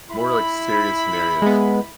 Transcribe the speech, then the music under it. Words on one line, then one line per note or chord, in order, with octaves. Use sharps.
more, like, serious scenarios,
E4 B5
G#3 B3